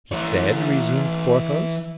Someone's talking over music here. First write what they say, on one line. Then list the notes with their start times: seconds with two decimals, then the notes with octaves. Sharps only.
"He said?" resumed Porthos.
0.12 E3 C#5